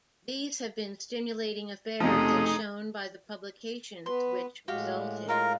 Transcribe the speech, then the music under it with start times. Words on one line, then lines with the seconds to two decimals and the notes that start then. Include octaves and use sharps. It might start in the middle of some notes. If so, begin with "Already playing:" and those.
These have been stimulating affairs as shown by the publications which resulted.
2.00 F#1 C3 F3 A3 D#4 G#4 A#5
4.06 B3 B4 C6
4.68 A2 G#3 F#4 G4 F5
5.29 D#4 F4 A#4 F5